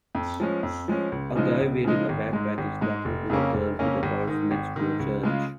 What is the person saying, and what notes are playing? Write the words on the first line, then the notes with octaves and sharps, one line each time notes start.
A guy wearing a backpack is talking to a girl with a purse next to a church.
F2
F3 G#3 C#4
F2
F3 G#3 C#4
C#2
C#3 F3 G#3 D#4
C#2
C#3 F3 G#3 D#4
G#1
G#2 G#3
G#1
G#2 G#3
F1
F2 C#3 A#3 C#4
F1
F2 C#3 A#3 C#4
G#1
G#2 D#3
G#1
G#2 D#3
C#2
C#3 G#3 F4